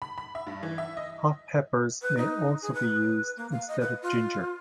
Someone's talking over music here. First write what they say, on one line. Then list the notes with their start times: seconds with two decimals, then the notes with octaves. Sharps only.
Hot peppers may also be used instead of ginger.
0.02 B5
0.18 B5
0.35 E5
0.47 G2
0.63 E3
0.78 E5
0.97 D#5
2.02 B4
2.17 D#4
2.62 G#4
2.74 B4
3.37 A#3
3.51 F5
3.68 D#5
3.81 B4
4.02 F4